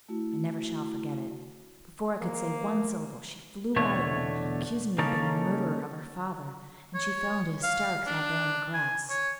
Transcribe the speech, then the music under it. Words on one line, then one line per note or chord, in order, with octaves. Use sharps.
I never shall forget it; before I could say one syllable she flew out at me, accusing me of being the murderer of her father, and she fell into hysterics out there on the grass.
A3 E4 F#4
F3 A#3
E2 B2 D3 A3 C#5
C#3 A#3 C#4 D#4 A4
C#5
F5
D4
G#5
C#5